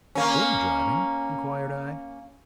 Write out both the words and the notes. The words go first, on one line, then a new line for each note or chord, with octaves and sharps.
"Going driving?" inquired I.
A#3 C#4